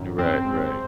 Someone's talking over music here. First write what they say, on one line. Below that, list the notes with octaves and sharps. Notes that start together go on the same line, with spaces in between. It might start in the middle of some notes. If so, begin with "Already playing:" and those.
Right, right.
Already playing: G#1 F#2 D#3
F#2 C4
G#3